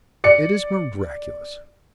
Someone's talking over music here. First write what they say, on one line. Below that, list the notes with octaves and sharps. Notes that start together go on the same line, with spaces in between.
"It is miraculous."
D5 C#7